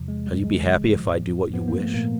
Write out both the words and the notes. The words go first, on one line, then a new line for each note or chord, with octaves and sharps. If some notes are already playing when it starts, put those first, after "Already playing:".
"Shall you be happy if I do what you wish?"
Already playing: E2 C3 F3
G#3
G3
C#2 C#3 E3 G#3
A2 F3
G#2 F3 B3
A#3
A3
A#2 A#3